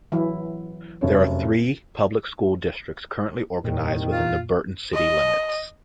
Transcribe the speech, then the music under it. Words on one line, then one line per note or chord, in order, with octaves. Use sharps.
There are three public school districts currently organized within the Burton city limits.
E3 F#3 E4
F1 F#2 C#5
C2 F2 A#2 D#3
F4
D#5